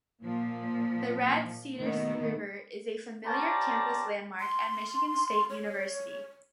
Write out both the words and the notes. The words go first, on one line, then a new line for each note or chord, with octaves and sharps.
The Red Cedar River is a familiar campus landmark at Michigan State University.
A#2 F3
B2 D#3 A3 B3
C#4 G4 C5 D5 A5 A#5
C6
C#5